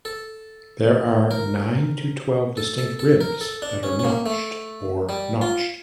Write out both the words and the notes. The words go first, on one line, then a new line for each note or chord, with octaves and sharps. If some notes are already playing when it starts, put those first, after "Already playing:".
There are nine to twelve distinct ribs that are notched or notched.
A4
A#4
A4
A4
A4
A#4
A4
D4
C#4
C#4
A#3
A3
G3
F4